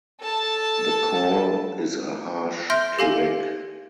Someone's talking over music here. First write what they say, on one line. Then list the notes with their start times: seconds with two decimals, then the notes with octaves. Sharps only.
The call is a harsh "kereck".
0.21 A4 A5
2.70 E5 C6 F6 G6 A#6 D7
2.99 G4 A4 F5 G#5 A#6